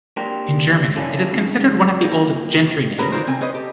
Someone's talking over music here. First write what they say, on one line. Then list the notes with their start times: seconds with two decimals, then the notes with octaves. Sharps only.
In Germany it is considered one of the old "gentry names".
0.17 A#3 D4 G4 A#4 C5
0.96 D3 F#3 A#3 C#4 D4 E4
1.31 F2 G#2 C#3
2.03 D#2 E3 F3 A#3
2.98 C#4 F#4 G#4 A#4 B4
3.12 D3 E3 D#4 F4 A#4 C5
3.27 C3 C4 G#5
3.41 C#4 B4 C5 D#5
3.54 G4 A4